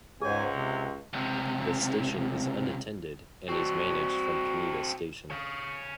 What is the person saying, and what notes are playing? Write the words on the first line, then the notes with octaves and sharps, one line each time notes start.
The station is unattended, and is managed from Kanita Station.
C#2 G#2 G#4 C#5 G#5
C3
C#2 C3
C4 D4 F#4
C#5 F5